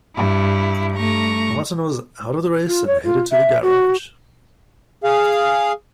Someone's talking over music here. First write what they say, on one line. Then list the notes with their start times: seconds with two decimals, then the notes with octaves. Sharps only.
Martin was out of the race and headed to the garage.
0.17 G2 E4
0.96 G2 A3 A#5 C#6 A#6
2.68 F4
2.87 C#5
3.04 F4
3.32 E5
3.62 F#4
5.04 G#4 F5